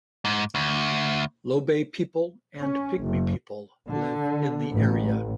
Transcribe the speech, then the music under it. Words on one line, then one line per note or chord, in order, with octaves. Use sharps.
Lobaye people and Pygmy people live in the area.
G#2
D2
C#4
F#1
D3
A1